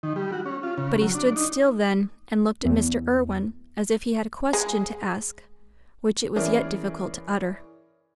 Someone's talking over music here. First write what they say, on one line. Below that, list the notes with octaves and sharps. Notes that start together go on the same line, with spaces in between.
But he stood still then, and looked at Mr. Irwine, as if he had a question to ask which it was yet difficult to utter.
D#3
G3
F#4
C#4
F4
C#3
F#3
D4
D#4
E2
G#3 G#4
E3 C#4 E4 G#4 A#4 D5